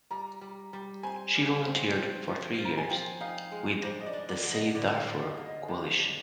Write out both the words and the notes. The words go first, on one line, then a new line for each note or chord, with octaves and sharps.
She volunteered for three years with the Save Darfur Coalition.
G3 A#5
G3
G3
C4 G#5
G3
C4
F3
F3
F3
A#5
G#5
F3 G5
D#4 F5
G#3
D4 C5
D#5
D5
D4
D5
D3
D#5
D3 D5
F5
D4
D#5
D3
D#5
C3
D4